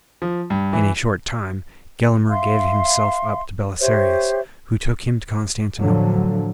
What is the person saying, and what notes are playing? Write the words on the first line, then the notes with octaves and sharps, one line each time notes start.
In a short time Gelimer gave himself up to Belisarius, who took him to Constantinople.
F3
G2
E3
E5 F5 C6
G4 C5 C#5 E5
A2 D3 F3 F#3